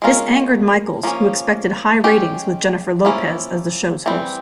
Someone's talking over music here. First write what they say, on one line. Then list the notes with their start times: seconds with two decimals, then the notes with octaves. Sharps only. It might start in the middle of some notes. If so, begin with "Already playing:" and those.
This angered Michaels, who expected high ratings with Jennifer Lopez as the show's host.
0.02 G#3 C#4 F4 A#4
1.03 F3 A#3 C#4
2.04 G#3 C#4 G4
3.05 F3 A#3 C#4 E4
4.06 E3 G3 C4